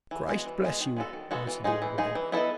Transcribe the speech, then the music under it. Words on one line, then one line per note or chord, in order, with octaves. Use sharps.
'Christ bless you,' answered the old man.
E3
G#3 B3 F#4
E3
G#3 B3 F#4
D#3
G#3 B3 F#4 A4
D#3
G#3 B3 F#4 A4
E3
G#3 D#4 G#4
E3
G#3 D#4 G#4
E3
B3 E4 A4 D#5